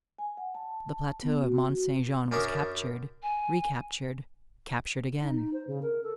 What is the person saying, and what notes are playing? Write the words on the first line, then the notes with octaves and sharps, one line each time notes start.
The plateau of Mont-Saint-Jean was captured, recaptured, captured again.
G#5
F#5
A5
B3
F#4
F#2 C#4 D4 A#4 C#6 D#6
G#5
D#4
D#4
C5
C#3
A#4
A4